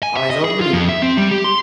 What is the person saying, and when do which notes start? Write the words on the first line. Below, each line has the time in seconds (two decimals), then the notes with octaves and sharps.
Eyes are blue.
0.03 G#5
0.17 E5
0.30 D#5
0.45 G#4
0.61 F4
0.73 F2
0.89 E5
1.02 C4
1.17 G3
1.31 G4
1.44 C6